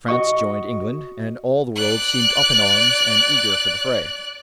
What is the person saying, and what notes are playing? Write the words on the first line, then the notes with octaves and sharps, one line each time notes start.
France joined England, and all the world seemed up in arms and eager for the fray.
F#4 D#5 C#6
D5 F#6